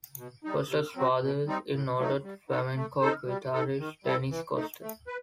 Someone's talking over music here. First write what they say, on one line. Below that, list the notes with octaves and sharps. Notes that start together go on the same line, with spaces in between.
Koster's father is noted flamenco guitarist, Dennis Koster.
B2
G3 D#4
C3
F#3 C4 F#4
B2
G3 C4 D#4
A2
F#3 A3 D#4
G3
B3 D#4 A4
A3
D#4 A4 C5
G3
D#4 A4
D#3
G3 C4 E4 A4
E3
A3 D#4
A3
B4